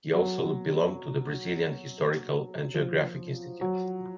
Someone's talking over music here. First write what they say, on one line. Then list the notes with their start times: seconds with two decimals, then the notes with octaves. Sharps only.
He also belonged to the Brazilian Historical and Geographic Institute.
0.14 F#3
2.74 F3
3.61 F#3